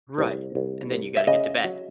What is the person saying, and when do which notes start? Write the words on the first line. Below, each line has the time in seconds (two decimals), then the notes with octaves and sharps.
Right, and then you gotta get to bed.
0.18 C2
0.55 C2
0.91 C2
1.17 E5
1.27 C#3 D#5
1.64 F#3